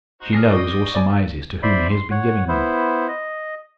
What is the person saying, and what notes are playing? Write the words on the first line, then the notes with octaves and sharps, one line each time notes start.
She knows, or surmises, to whom he has been giving them.
D#4 F#4 C5
G#4 D5 F6 A#6 C7
D5 D#5 G5 C#6 D#6
D5 G#5
C5 D5 E5 B5 C6
C6
C#5 F#5
B3 E4 C5
D#5